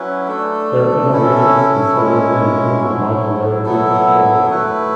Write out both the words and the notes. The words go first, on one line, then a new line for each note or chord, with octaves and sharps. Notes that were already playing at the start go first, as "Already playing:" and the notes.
Their innovations considerably improved the modularity of programs.
Already playing: F#3 C#4 E4 B4
A3 D4 A4
C#4 E4 A4
G#3 C#4 E4
F#3 A3 E4
F#3 B3 E4 A4
A3 E4 B4